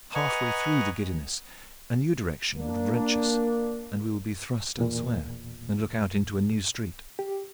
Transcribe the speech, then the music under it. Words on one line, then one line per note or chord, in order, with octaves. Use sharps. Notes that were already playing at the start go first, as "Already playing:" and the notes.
Halfway through the giddiness, a new direction would wrench us and we would be thrust elsewhere, and look out into a new street.
B4 D#5 F#5 G#5 A#5 C#6
A#3 D4
E2 A#2
G4